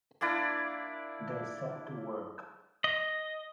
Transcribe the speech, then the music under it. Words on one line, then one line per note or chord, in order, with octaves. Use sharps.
They set to work.
A#3 D4 E4 D5
D#5